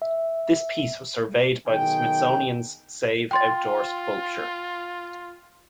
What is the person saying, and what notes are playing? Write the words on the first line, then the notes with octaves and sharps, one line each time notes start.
This piece was surveyed by the Smithsonian's Save Outdoor Sculpture!
E5
B1 D#3 G#4 G5
F4 G5 C6 A6